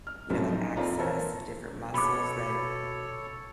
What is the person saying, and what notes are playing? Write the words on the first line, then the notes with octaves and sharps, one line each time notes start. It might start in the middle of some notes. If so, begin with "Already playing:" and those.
you know, like, access different muscles that
F6
C2 F#2 A2 F3 F#3
D#4
F2 C4 F4 D5 A#5
E3 A4 A#4 C5 C#5
B2 A4 C#5 B5 D6